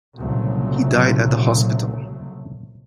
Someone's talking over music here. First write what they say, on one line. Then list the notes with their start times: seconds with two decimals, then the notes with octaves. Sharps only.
He died at the hospital.
0.18 C2 A#2 C#3 F#3 A3